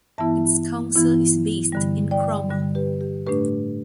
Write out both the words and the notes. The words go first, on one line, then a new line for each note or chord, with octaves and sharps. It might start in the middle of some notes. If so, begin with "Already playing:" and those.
Its council is based in Cromer.
G2 E3 B3 E4 E5 A5
G2 E3 B3 E4
G2 D3 G3
D5 G5
G2 D3 G3
G4 B4
G4
A2 A3 D4 G4 B4